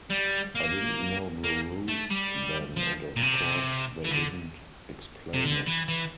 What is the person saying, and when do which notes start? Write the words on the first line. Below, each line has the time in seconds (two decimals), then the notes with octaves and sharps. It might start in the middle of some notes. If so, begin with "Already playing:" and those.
I didn't know the rules then, and of course they didn't explain it.
0.10 G3
0.55 A#3
1.44 A#3
1.89 A3
2.11 G3
2.77 F3
3.16 A#2
3.22 C3
4.05 E3
4.11 D3
5.34 C3
5.45 D3
5.67 E3
5.88 E3